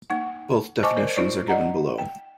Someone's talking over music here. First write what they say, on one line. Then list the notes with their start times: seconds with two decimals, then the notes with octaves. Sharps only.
Both definitions are given below.
0.10 A#3 D#4 F#5
0.83 C5 D#5 G#5 A5 C#6 D6
0.96 A#4 C5 D5
1.16 D#4 F4 C5 D5
1.48 D5 D#5 F#5 A#5
1.98 G5